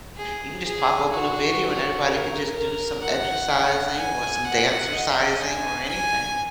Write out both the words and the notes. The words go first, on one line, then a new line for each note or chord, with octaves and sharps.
you can just pop open a video and everybody could just do some exercising or some dancercising or anything.
G#4
G#4
F#4
A#4
A#4
F#5
G#5
F#5
D#5
G#5
G#5